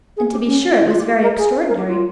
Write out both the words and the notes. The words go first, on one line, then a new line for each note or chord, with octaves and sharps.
And to be sure it was very extraordinary.
G#4
G4
C#4
E4
F4
G4
G4
A#4
G#4
A#4
G4
F4